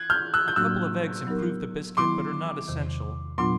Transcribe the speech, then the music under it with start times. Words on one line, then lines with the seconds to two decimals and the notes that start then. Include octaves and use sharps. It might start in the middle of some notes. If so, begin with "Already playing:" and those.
A couple of eggs improve the biscuit, but are not essential.
Already playing: F#6 G#6
0.10 F6 G6
0.34 E6 F#6
0.48 G6
0.56 A2 F#3 A#3 D4 F#4 E6 F#6
1.26 F#3 B3 D#4 G4 A#4
1.97 D#3 F#3 B3 E4 C6 D6
2.68 E2 C3 D#3
3.38 A#2 F#3 B3 D4 F4 C6 D6